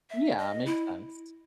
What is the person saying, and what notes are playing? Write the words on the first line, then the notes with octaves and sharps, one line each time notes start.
Yeah, makes sense.
E5
D#5
E4